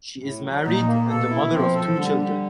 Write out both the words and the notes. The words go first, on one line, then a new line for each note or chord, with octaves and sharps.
She is married and the mother of two children.
A2
F#3
A#2 D#4
A#3
B2 A4
E4
F3 C4
A4
D3 G3
D3